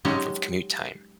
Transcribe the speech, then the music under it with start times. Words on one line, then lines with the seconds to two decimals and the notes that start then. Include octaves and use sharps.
f of commute time,
0.05 F#3 G#3 C#4 D#4 F#4 G4